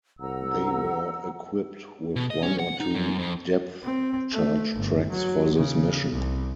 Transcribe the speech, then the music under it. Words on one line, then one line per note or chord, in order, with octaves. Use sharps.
They were equipped with one or two depth charge tracks for this mission.
C2 F#5 A#5 E6
B2
D#5
C#4
F#5
D#4
F#2
F2
C4
A3
G1
F#3
C#3
C2